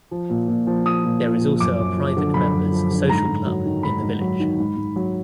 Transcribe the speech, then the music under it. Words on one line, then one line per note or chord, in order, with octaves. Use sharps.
There is also a private members social club in the village.
F3
A#2
A#2
F3
F3 D#6
A#2
A#2
F3
F#2 D6
F#2
F3
D3
F#2 B5
F#2
F3
D3
G#2 A#5
G#2
F#3
D#3
G#2 B5
G#2
F#3
D#3
G#2
G#2
F#3